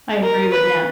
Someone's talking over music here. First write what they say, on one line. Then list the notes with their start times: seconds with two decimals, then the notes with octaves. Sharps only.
I agree with that.
0.22 A#4
0.51 B4